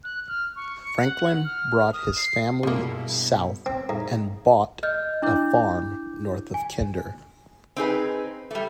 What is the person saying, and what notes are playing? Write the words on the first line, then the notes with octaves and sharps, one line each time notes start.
Franklin brought his family south and bought a farm north of Kinder.
F#6
F6
C#6
C#7
F#5
F6
D#6
C7
G2 B2 F3 A#3 E4 G#4
C4
G#2
D#5 F6 G6
D4 E4 D6 G6
G#5
C4 D#4 G#4 B4
G3 A3